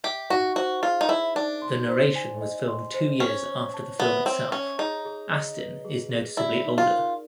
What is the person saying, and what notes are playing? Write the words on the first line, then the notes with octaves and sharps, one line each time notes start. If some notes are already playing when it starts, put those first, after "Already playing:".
The narration was filmed two years after the film itself; Astin is noticeably older.
G4 E5
D#4 F#4
F#4 C5
F4 G#4
D#4
E4 E5
D4 D#4
C6
C5
G#5
D#5
C6
C5
C#4 C#5
C#5
A5
B3 E5
C4 C#5
C#4 C#5
D#4 G#4
G#4
D#5
B4
G#4
G#4
E4 D5
D#4
F4
A#4